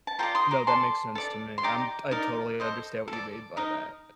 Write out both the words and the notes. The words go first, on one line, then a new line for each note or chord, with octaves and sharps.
No, that makes sense to me. I'm I totally understand what you mean by that.
A5
F4 A4 D5 G5 A#5
C6 D#6
A#5 D6
A4 D5 A5 C6
A4 D5
C6
D#4 G4 D5 A#5 D6
D#4 A#4 D5
A4 C5 D#5
A4
D5
D#4 A#4 D#5